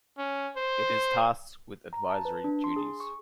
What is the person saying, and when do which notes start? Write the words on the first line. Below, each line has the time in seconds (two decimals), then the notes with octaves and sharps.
It is tasked with advisory duties.
0.18 C#4
0.57 C5
1.93 A#5
2.09 A5
2.25 B4
2.44 D4
2.64 C6
2.76 G#4
3.00 C#6